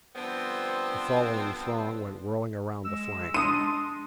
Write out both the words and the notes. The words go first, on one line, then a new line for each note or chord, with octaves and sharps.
The following throng went whirling around the flank.
D3 F3 G3 B3 C4
G#3 E6
D4 C6 D#6 D#7